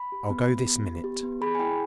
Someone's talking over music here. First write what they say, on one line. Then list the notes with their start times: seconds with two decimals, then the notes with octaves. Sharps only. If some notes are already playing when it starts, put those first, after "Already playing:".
I'll go this minute.'
Already playing: B5
0.12 G4
0.30 B3
0.49 B3
0.67 G4
0.86 B3
1.04 G4
1.23 B3
1.41 G#4 B5
1.55 G#5
1.59 E4 G5